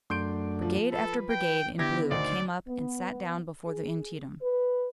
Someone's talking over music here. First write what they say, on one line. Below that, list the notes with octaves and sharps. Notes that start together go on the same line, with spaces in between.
Brigade after brigade in blue came up and sat down before the Antietam.
F#2 A3 D4 C6 G6 D7
F3
A4 B4
G5
D3 B3 E4 G4 G#6 A#6
D2 D#3 D#4 C5 D5
B3
G#4
B4